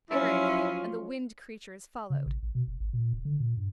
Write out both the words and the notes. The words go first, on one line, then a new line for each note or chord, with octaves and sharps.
Eric and the Wind Creatures followed.
F3 F#3 C#4 E4 F4
C#3
A1
A1
B2
F1
G#1
A#2
D1
D3
A#2
G2